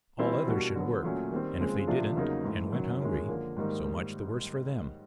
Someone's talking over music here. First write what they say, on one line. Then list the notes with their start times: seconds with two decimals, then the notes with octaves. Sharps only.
All others should work, and if they didn't, and went hungry, so much the worse for them.
0.18 E3 G3 C4 E4
0.46 B2 G3 A#3 D4 F#4
0.75 D3 F#3 B3
1.03 A#2 F#3 A3 C#4
1.31 D#3 G3 C4
1.59 C#3 F3 G#3 C4
1.87 C3 F3 A3 D4 F4
2.15 E2 C#3 F#3 A#3 D#4
2.44 G#2 E3 A3
2.72 F#2 D#3 F#3
3.00 F#2 D#3 G#3
3.28 D3 F3 A#3
3.56 G#2 D#3 G3 A#3 D#4